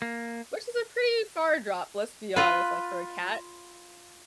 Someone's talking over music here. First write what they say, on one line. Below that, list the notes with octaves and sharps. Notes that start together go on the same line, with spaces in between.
which is a pretty far drop, let's be honest, like, for a cat,
A#3
F4 B4